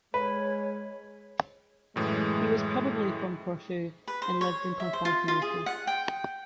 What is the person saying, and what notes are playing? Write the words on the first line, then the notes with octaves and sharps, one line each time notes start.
He was probably from Corfu and lived in Constantinople.
G#3 B4 C#5
F#2 A2 E3 G#3
B4
C5
C#5
E5
C5
F4
F4
G#4
F#5
G5